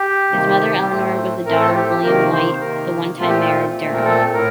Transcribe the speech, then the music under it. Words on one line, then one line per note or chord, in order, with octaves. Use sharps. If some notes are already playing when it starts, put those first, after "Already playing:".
His mother, Elanor, was the daughter of William Wight, the one-time mayor of Durham.
Already playing: G4
C3 D#3 A#3
A2 A3 C4
A2 A3 C4 A#4
A4
G4
G4
C3 D#3 A#3 A#4
C5
C3 D#3 A#3 A#4
A#2 A3 C4 F4
G4
F4
A#2 A3 C4
A#4
A4
A2 A#4